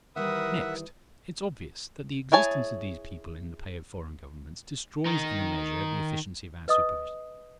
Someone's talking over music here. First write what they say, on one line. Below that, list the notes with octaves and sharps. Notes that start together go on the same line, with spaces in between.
Next, it's obvious that the existence of these people in the pay of foreign governments destroys in a measure the efficiency of our supervision.
D#3 E3 G3 A#4 B4 E5 F#5 D#6
E4 G#4 C#5 G#5 A5
D#3 D#4
B4 D#5 D#6